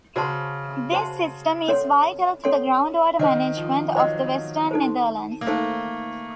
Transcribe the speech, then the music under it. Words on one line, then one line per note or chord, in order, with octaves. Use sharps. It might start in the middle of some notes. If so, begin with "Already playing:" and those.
This system is vital to the groundwater management of the Western Netherlands.
C#3 F#4 C5 F#5 A5 C6
F#4 C5 F#5 A5 C6
C#4 A4 C#5 F#5 C6
C#4 A4 C#5 F#5 C6
D#3 C5 D#5 F#5
F3
F#3 C5 D#5 F#5
D#4 A4 C5
A#3
A3 D#4 A4 C5